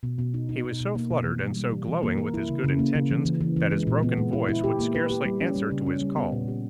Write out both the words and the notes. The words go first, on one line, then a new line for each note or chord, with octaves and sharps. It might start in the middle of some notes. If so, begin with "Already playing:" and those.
He was so fluttered and so glowing with his good intentions, that his broken voice would scarcely answer to his call.
B2
B2
D#4
D#4
B2
B2
A#3
B2
E3
G3
G3
E3
E3
A#3
A#4
E4
C#3
C#3
A#3
C#3
E3
E3
E3
E3
G#3
A#2
B3
G#3
E4
E4
G4
A#3
B4
G4
G3
C#4
G3
C#3
C#4
G3
B3
A#2
G4